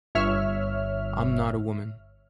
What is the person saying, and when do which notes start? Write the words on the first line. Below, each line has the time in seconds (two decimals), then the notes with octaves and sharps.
I'm not a woman.
0.15 G1 C#5 E5 F6